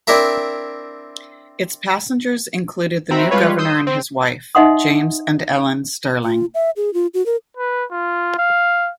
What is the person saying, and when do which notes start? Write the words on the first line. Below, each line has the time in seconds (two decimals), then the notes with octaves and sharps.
Its passengers included the new Governor and his wife, James and Ellen Stirling.
0.07 C4 D4 E4 A#4 E5 A#5
3.11 C4 F#4 E5 A#5 B5
3.31 G3 G#3 F4 B4 C#5
3.58 C6 D#6 E6 G6
3.87 C4
4.55 D#4 D#5 E5 F#5 C6 D#6
6.24 F4
6.55 E5
6.77 G#4
6.94 F4
7.14 F#4
7.26 A#4
7.57 B4
7.92 F4
8.38 F5